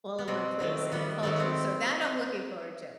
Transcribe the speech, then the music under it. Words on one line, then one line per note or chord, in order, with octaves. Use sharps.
all in one place and the culture, so, that I'm looking forward to.
B3
B2 G3 C4
D#3 F#3 A3
D#3 G3 B3
D#3 F#3 A3 B3
C4